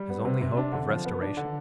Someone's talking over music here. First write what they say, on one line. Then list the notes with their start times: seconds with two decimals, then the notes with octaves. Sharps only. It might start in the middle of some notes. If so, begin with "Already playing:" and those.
His only hope of restoration!
Already playing: G3
0.10 B3
0.25 C3
0.41 C3
0.57 D4
0.72 D3
0.89 F3
1.05 B3
1.21 D4
1.37 D3